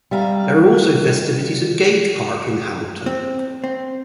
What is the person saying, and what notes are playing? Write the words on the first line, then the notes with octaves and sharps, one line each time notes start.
There are also festivities at Gage Park in Hamilton.
G3 E5 F5 G#5 A#5
C4
C4